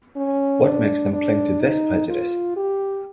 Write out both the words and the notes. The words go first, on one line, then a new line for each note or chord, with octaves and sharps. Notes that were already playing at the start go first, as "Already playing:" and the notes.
What makes them cling to this prejudice?
C#4
D4
D4
D#4
F4
G4